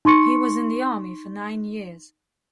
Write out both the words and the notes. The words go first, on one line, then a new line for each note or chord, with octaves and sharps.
He was in the army for nine years.
D#4 C6 C#6 C#7